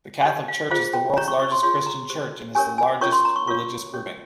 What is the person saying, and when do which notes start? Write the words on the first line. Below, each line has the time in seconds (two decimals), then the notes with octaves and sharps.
The Catholic Church is the world's largest Christian Church, and its largest religious grouping.
0.25 D#4 G4 C#5 D#5
0.48 F5
0.71 F4 G#4 C5 F5
0.93 G5
1.17 C#4 G4 C#5 A#5
1.28 C#6
1.40 C#6
1.52 C6
1.63 F4 G#4 C#5 C6
1.86 A#5
2.10 G4 C5
2.55 C#4 G4 A#4 C#5 G#5
2.78 G#5
3.01 C#4 F4 A#4 C#5 C#6
3.12 C6
3.25 A#5
3.36 C#6
3.47 F4 A#4 C#5 C#6
3.94 C#4 G4 C#5